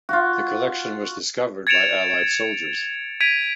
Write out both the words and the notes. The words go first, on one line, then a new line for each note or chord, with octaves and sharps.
The collection was discovered by Allied soldiers.
F4 F#4
G#6 A6 C#7 D7 E7 F7
G#6 B6 D7 D#7 F7